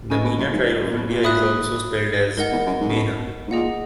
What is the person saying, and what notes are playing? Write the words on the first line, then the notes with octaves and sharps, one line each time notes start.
The Meena tribe of India is also spelled as Mena.
C#3 B4 D#5 G#5
B2
F#2
G#2
F#2
A#2
B2
A#2
E5 B5 D#6 F#6
G#2 A#4 D#5 F#5
E2
F#2
G#2
C#3
B2
G#2
A#2 G#4 D#5 F#5